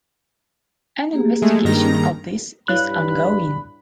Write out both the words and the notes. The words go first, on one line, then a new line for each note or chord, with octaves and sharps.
An investigation of this is ongoing.
A#3 G4 G#4
G#3 A3
G2 D#3 A#5
G2 E4 C#5 F5 B5 F#6